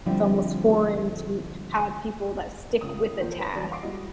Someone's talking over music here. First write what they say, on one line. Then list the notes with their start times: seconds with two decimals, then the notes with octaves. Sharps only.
it's almost foreign to to have people that stick with the task.
0.06 D3 F3 G3 C4 D4 E4
2.81 C#2 C#3 D#6
3.21 E3 F3 A#3 C5
3.37 B4 C#5 B5
3.56 E3 F#3 G3 C#4 D5
3.71 F5 F#5 C6 D6 C7 D7
3.83 G3 G#3 E4 F#4 G4 D#5